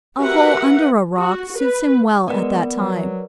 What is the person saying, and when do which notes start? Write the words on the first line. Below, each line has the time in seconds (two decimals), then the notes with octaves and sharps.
A hole under a rock suits him well at that time.
0.18 F#4 G4 A#4 B4 E5 F#5
1.17 F#4
1.58 B4
2.28 G#3 B3 A#4 B4 D5
2.77 F#3